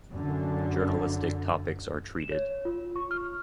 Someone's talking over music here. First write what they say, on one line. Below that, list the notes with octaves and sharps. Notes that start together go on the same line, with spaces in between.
Journalistic topics are treated.
F#2 D3
E7
C#5
F4
C#6
F6